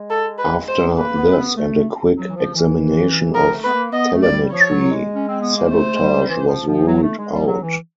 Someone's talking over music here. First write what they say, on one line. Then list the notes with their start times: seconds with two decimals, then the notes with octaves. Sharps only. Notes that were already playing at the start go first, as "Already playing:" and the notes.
After this and a quick examination of telemetry, sabotage was ruled out.
Already playing: G#3
0.10 A4
0.38 B4
0.68 C5
0.98 A#3 B4
1.18 B3
1.32 C4
1.37 B3
1.56 A3
2.16 F#3
2.28 E3
2.36 F3
2.55 E3
3.33 F3 A#4
3.53 A3
3.64 B3 B4
3.72 A#3
3.93 B3 D#5
4.13 A3
4.23 D5
4.28 G#3
4.32 G3
4.51 F3 C#5
4.71 F#3
4.91 G#3
5.15 C#4
5.28 C4
5.41 B3
5.56 A#3
5.69 A3 C5
5.94 G#3
6.00 G3
6.29 E3
6.48 F3
6.68 F3
6.87 F#3
7.03 A3
7.18 G#3
7.32 G3
7.40 F3
7.47 F#3
7.62 E3